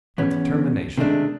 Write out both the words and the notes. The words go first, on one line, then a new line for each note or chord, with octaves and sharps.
'With determination.
E2 B3 C#4
C3 D#3 G#3 A3 D4